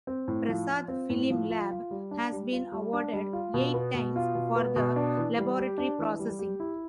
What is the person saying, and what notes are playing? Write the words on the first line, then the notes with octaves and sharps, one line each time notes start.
Prasad Film Lab has been awarded eight times for the laboratory processing.
C4
A2
F3
F4
C4
A2
F3
F4
F4
G3
D4
G3
F4
G3
D4
G3
F4
B2
B3
B2
F4
B2
B3
B2
D4
E3
G3
G4
D4
E3
G3
G4
E4